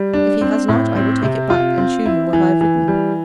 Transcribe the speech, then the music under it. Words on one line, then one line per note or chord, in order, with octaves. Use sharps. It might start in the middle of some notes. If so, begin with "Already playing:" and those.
If he has not, I will take it back, and shew him what I have written.
Already playing: G3
D4
C4
A2
C4
C3
F4
C4
E4
E3
E3
G3